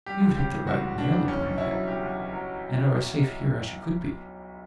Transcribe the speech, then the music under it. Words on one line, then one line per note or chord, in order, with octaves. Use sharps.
You've hit the right nail upon the head, and are as safe here as you could be.
G3 G4
C#2
C#3 G4
E3
G3 F#4
C#2
C#3 D4
E3
B1 C#4
B1
B2 E4
F#3
B1 G4
B1
B2
F#3